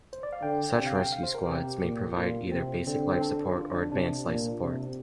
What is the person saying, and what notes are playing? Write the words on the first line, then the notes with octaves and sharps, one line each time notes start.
Such rescue squads may provide either basic life support or advanced life support.
C5
D5
F5
D3 G5
C3 G5
F5
G5
F5
C5
A#4
C3 G4
A#2
A#2 F4
A#3
C3 C4
D3 C4
C4
D4
F4
D4
C3 D4
A#2
C3